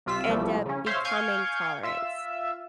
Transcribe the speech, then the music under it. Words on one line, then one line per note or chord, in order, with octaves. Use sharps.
end up becoming tolerance,
C2 C3 F4 E6 B6
B1 E3 F3 G3 A3
C#3 C#4
C5 C#5 E5 F5 C6
F5 G#5 C#6 G6 G#6 D7
F4 E5 E6